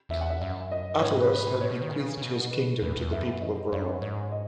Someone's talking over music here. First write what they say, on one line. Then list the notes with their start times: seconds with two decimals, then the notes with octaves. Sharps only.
Attalus had bequeathed his kingdom to the people of Rome.
0.09 E2 E5
0.21 F#5
0.30 E5
0.42 F#2 E5
0.72 D#5
1.01 G#2 C#5
1.16 B4
1.32 B4
1.47 B4
1.61 A2 C#5
1.72 B2
1.82 D#3
1.92 C#3
2.17 C#3
2.22 B2
2.51 B4
2.82 E2 B4
2.96 E2
3.12 F#2 E5
3.42 D#5
3.72 F#2 C#5
3.86 B4
4.02 G#2 C#5
4.32 D#5